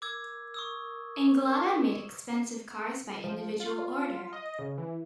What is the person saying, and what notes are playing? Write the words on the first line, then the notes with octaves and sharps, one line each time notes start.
Anglada made expensive cars by individual order.
A#4 D6 E6 G#6
C#6 D#6 E6
F3
F4
D#5
C#3
E3